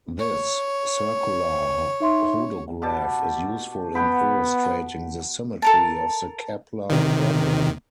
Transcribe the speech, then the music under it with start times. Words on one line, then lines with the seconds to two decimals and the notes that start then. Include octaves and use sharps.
This circular hodograph is useful in illustrating the symmetry of the Kepler problem.
0.19 C#5
2.00 D#4 E5 C6
2.82 B2 G4 A5
3.95 B3 F#5 G5 B5
5.62 A4 A#4 A5
6.90 C3 D#3